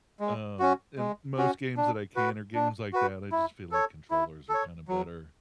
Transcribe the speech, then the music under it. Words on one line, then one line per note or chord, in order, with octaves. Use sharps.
Um, and most games that I can are games like that. I just feel like controllers are kinda better
G#3
C#4 F#4
G#3
C#4 F#4
D4
F#4 B4
D4
F#4 B4
E4
A4 C#5
E4
A4
C#5
F#3